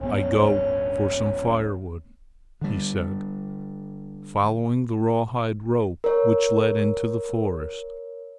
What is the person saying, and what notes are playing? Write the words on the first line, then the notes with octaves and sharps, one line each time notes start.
"I go for some fire-wood!" he said, following the rawhide rope which led into the forest.
D1 G2 B3 C#4
D3 G3
A#4 C#5